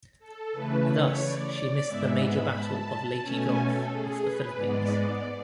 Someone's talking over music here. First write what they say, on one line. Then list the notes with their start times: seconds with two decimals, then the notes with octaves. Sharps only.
Thus, she missed the major Battle of Leyte Gulf off the Philippines.
0.19 A4
0.52 C#3 E3 A3 B4
0.86 C#5
1.20 D5
1.87 G#2 G#3 B3 E5
2.20 B5
2.54 A5
3.21 B2 A3 C#4 G#5
3.54 A4
3.88 G#4
4.22 B4
4.55 G#2 G#3 B3 D5